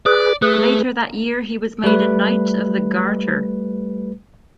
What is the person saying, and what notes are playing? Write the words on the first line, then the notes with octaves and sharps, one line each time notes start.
Later that year he was made a Knight of the Garter.
G#4 B4 D5
A3 G#4 B4
G3 A3 B4